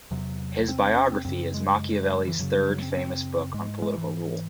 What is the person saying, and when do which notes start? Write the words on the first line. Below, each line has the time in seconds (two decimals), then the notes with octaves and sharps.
His biography is Machiavelli's third famous book on political rule.
0.11 E2 C3 F#3
0.68 C4
0.96 C#4
1.11 C4
1.25 F#2 C#3 C4
1.54 G#3
2.27 E3
2.39 F#2 C#3 F#3
2.68 F#3
2.78 A3
2.82 C4
2.92 C#4
2.97 C4
3.54 G#2 G#3
3.82 G#3
3.97 E3